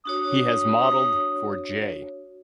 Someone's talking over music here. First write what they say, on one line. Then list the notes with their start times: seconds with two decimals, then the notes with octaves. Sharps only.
He has modeled for J.
0.05 D4 F#4 C#5 D#6